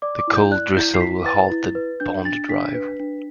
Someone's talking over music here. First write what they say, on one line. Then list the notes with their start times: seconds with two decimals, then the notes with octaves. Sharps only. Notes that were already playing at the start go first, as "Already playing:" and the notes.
The cold drizzle will halt the bond drive.
0.02 D5 D6
0.19 D6
0.28 E4
0.36 G6
0.51 D5 F#6
0.77 E4 G6
0.94 C7
1.01 E4 B6
1.26 B4 A6
1.51 E4
1.75 B4
2.00 D4 G6
2.25 D4 A6
2.49 D4 B6
2.74 B4
3.00 D4